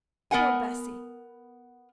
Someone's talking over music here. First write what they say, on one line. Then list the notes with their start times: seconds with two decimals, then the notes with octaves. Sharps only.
'Poor Bessy!
0.31 B3 A#4 F#5 G#5